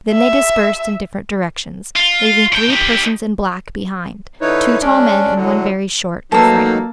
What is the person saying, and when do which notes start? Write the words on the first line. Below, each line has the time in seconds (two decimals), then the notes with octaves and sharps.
Then they dispersed in different directions, leaving three persons in black behind, two tall men and one very short and frail.
0.11 E5
1.95 F4
2.52 A2 G5
2.70 D#4 G4
4.41 D3 D#4 E4 B4 C#5
4.82 G#3 C#4 D4 D5
5.35 A2 D3 F#3
6.32 F#3 A3 A#3 D#4 A4 B4 A5 E6